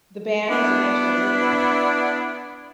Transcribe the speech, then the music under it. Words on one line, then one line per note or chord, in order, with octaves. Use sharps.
The ban was eventually lifted.
B3 D4 E4